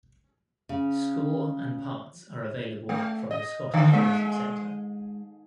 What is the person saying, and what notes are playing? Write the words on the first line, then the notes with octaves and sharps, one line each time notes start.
Score and parts are available from the Scottish Music Centre.
C#3
A3
D#5
D3
G#3